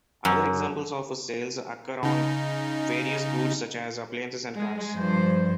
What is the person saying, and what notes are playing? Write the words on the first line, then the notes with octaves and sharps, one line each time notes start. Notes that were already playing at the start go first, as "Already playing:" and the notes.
Other examples of sales occur on various goods such as appliances and cars.
F#2
C#3 D#4
G#3
G2 F3 C5